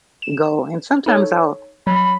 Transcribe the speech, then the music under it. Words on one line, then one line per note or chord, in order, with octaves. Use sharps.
go, and sometimes I'll
E7
D#4 A4 C#5
F#3 B5